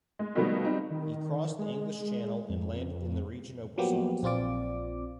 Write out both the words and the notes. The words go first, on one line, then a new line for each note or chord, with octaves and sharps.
He crossed the English Channel and landed in the region of Wissant.
G#3
B2 D#3 F3 G3 A3 B3
G3 C4 D#4
D#3
G#3
F2
F3 F#3 A#3 B3 G4
A#1 C4 F4 D5 D6